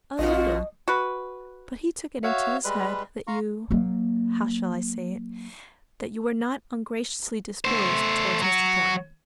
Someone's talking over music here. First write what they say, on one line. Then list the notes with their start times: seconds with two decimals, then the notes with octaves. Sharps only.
'A little; but he took it into his head that you--how shall I say it?--that you were not ungraciously disposed towards Mr. Thornton.
0.19 A#1 F2 B2 F4 F#4 D#5
0.88 F#4 B4
2.24 F#4 C#5 E5 F5
2.64 G3 G#3 B4
3.27 F5 A#5 C6 C#6
3.71 F#3 A#3
7.65 A3 C5
8.42 F#3 F#4